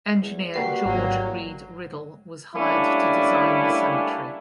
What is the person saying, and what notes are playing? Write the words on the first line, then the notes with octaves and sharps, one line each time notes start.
Engineer George Read Riddle was hired to design the cemetery.
E2
G3 A#3 F#4 G4 B4 C7
G#1 F#3 A#3
G3 A3 A#3 C#4 D4 E4